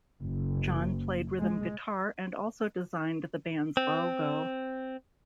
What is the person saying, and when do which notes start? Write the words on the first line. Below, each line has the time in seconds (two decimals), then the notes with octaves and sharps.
Jon played rhythm guitar and also designed the band's logo.
0.21 F#1
1.37 G#3
3.77 C4